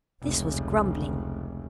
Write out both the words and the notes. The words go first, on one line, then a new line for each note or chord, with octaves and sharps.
This was grumbling.
F1 C#2